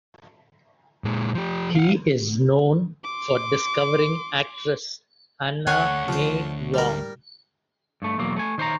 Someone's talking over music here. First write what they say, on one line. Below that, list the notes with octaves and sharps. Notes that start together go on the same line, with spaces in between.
He is known for discovering actress Anna May Wong.
A#2 G#3
F3 G4
F5 F#5
C6 D6
D2 A4 C#5 F#5 G#5
F3 C5
G3 A#4
G2 A3
B1 E2 F#3 A#3
A3 G#5
D#3 C5 C#5 A#5